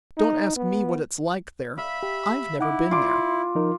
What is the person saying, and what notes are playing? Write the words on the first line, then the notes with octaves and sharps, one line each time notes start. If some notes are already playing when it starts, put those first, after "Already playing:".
Don't ask me what it's like there. I've never been there.
D#4
B3
E5 F5 B5
G4
D#4 E4 F#5 D6
F4 C6 D6
F3 D#4 A#4